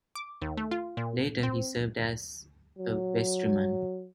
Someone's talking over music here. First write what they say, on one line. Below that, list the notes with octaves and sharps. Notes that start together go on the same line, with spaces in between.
Later, he served as a vestryman.
D6
D#2
A3
F4
A#2
C4
F#3